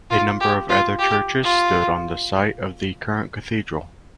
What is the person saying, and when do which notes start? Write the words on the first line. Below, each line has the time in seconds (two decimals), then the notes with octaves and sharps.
A number of other churches stood on the site of the current cathedral.
0.10 F4
0.40 G4
0.69 F4
0.99 G4
1.43 F4